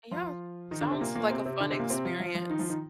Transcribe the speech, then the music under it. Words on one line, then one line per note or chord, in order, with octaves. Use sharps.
Yeah. Sounds like a fun experience.
F3 F4
D#3 D#4
D3 D4
C3 C4
A#2 A#3
A#2 A#3
C3 C4
C3 C4
D3 D4
C3 C4
A#2 A#3
C3 C4
F3 F4
F3 F4
F3 F4
D#3 D#4
F3 F4
D#3 D#4